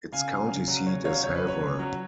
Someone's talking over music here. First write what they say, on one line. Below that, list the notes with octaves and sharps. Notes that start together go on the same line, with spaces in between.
Its county seat is Havre.
C#3 F5 G#5
F#3
C#3
F#3
C#3 C#5
F#3 C#5 F5
C#3 C#5
B4
F#3
C#5
C#3
F#3